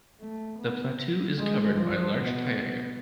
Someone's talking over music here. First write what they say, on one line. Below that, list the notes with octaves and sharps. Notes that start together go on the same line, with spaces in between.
The plateau is covered by larch taiga.
A3
B3
G#3
F3
B2